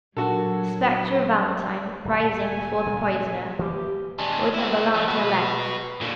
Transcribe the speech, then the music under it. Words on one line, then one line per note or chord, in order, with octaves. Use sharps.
The spectre of Valentine rising before the poisoner would have alarmed her less.
A#2 F#3 D4 F#4 A4 A#4
D1 A#2
G#5
A#2 C#3 G3
E3 F3 A#3 G4
G#3 D4
C4 E4
F3 G3
F#4 B4
A#2 D3